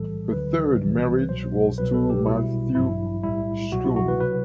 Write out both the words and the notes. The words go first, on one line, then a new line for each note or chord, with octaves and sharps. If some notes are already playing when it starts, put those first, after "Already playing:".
Her third marriage was to Matthew Schoen.
Already playing: B1 A2 E3 G3 A4
D2 D3 F#3 B4
C2 C3 E3 G3
C2 B2 F#3 C5
C2 B2 F#3 B4
A4
G4
B1 B2 G3 E4
A1 G2 F#3 E4
B1 A2 G3 E4
C2 B2 F#3 F#4
E4
F#4
B4
C3 F#3 B4